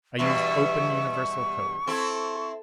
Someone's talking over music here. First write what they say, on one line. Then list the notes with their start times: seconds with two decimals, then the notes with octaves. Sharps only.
I used open universal code.
0.19 E2 G2 B2 E5 C#6
1.87 C4 E4 A4